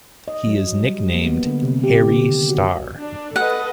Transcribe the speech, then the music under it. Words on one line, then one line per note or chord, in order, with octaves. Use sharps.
He is nicknamed "Hairy Star".
D#5
F#3
G3
A#3
B3
D3
C3
G4
D3
D#3
F#4
D4
A4 B4 D#5 F#5